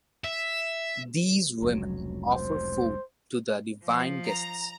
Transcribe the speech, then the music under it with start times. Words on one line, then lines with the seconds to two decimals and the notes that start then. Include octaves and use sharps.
These women offer food to the divine guests.
0.24 E5
1.62 F1 C#2 F#3
2.35 C5
3.84 F3
4.25 A#5